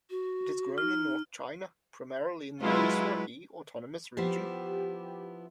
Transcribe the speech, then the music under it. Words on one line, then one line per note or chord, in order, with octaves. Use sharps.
It is grown in North China, primarily in the Ningxia Hui Autonomous Region.
F#4
D#4 F6
F#3 G#3 E4 F4 B4
F3 B3 E4 G4